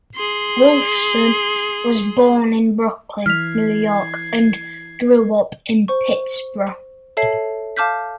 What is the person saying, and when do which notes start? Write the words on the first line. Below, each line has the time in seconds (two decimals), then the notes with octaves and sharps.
Wolfson was born in Brooklyn, New York and grew up in Pittsburgh.
0.15 G#4 C6
3.26 E3 F6 G#6 B6 C7 F7
5.88 C5 C#6
7.17 A4 C#5 E5 A5 C7
7.77 F5 A5 D6 F6 G6 B6